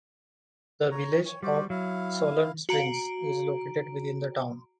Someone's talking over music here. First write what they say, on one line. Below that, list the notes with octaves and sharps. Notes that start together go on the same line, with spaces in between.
The Village of Solon Springs is located within the town.
C#5 A#5
C#5
G3 F#4 C5 D5
F#3 E4 F5
F#4 A#5 D7